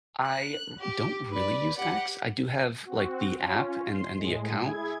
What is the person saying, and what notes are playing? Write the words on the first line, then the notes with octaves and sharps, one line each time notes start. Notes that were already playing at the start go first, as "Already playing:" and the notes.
I don't really use X. I do have, like, the app and and the account,
F#6
G4
B4 D5
G4 F#5
C4 F#4
C#4 F4
C6
A2 G#3
E4 G#4 G#6